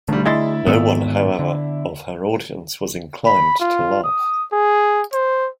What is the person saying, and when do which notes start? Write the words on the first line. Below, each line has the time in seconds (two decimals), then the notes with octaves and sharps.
No one, however, of her audience was inclined to laugh.
0.08 B1 D3 G3 A3
0.26 E4 G#4 D#5 E5 C6 A6
0.67 G#2 D#3 B3 A4 C#5
1.39 D3
3.26 B5
3.60 F4
4.04 D#6
4.52 G#4
5.13 C5